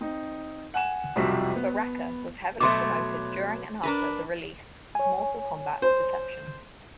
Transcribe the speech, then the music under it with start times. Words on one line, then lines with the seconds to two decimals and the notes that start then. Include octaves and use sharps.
Baraka was heavily promoted during and after the release of Mortal Kombat: Deception.
0.01 C4 D#4
0.74 F#5 G#5 E7
1.16 B1 F2 C3 G3 F#4 B6
1.56 B3
2.60 B2 F#3 A3 C6 D6
3.83 D4 A#4 B4
4.95 C#5 G#5
5.82 C5